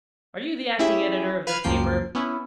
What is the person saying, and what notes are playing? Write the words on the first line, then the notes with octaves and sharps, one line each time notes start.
"Are you the acting editor of this paper?"
C#4 E4 G4 G#4 E5
B4 F5 F6 G#6
C#2 F#2 F3 A#3 G5 C7
B3 C#4 E4